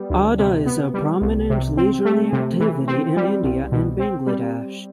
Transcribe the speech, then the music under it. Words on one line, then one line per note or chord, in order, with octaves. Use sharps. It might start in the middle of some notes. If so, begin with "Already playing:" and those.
Adda is a prominent leisurely activity in India and Bangladesh.
Already playing: G3 B3
D2
C3
B3
G3
C2
C3
C4
A3
C3
E3
C4
G3
C2
B2
C4
G3